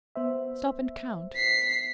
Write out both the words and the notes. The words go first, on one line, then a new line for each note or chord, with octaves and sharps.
Stop and count.
B3 C5 E5
B6 C7